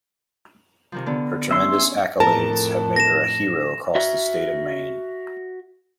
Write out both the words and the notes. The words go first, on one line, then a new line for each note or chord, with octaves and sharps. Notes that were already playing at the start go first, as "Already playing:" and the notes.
Her tremendous accolades have made her a hero across the state of Maine.
C3 D#3 F3
D3 B3
C#4 D#4 E5 C6
C#4
F2 A2 A#4 A5
A#6 E7
F#4 E5